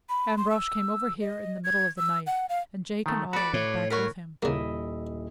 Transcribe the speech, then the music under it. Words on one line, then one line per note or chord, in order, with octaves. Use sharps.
Ambrosch came over here in the middle of the night, and Jake and Otto went back with him.
B5
C6
E6
D#5
G#6
E6
F#5
F5
D#3 F3 A3
F#4 A4 B4 D5 B5
A2 C#5
A#4 C#5 F#5 B5
D#1 C#3 A#3 E4 D#5 E5